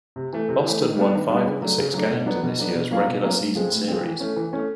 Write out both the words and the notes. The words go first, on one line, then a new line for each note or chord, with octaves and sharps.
Boston won five of the six games in this year's regular season series.
C3
E3 A3
C3
E3 A3
D#3
G3 B3 D4
D#3
G3 B3 D4
C#3
F#3 A3 D4
C#3
F#3 A3 D4
B2
F#3 B3 D4
B2
F#3 B3 D4
B2
F#3 A#3 C#4 F4
B2
F#3 A#3 C#4 F4
A2
F3 G#3 C4
A2
F3 G#3 C4
E3
A3 C#4
E3
A3 C#4